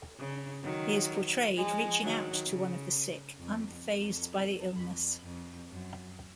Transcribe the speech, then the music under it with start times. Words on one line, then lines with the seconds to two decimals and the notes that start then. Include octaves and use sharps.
He is portrayed reaching out to one of the sick, unfazed by the illness.
0.19 C#3
0.64 D#3 F#3
1.55 F3 G#3
2.02 D#3 F#3
2.48 C#3
3.40 F2
3.85 F2
4.76 F2
5.23 F2
5.69 F#2